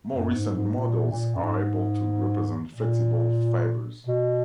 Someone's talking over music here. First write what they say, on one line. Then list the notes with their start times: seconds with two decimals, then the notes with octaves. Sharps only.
More recent models are able to represent flexible fibers.
0.12 F#2
0.35 G#2
0.56 G#2
0.78 A#2
1.11 A#2
1.35 F#2
1.43 G#2
2.75 A#2
4.06 B2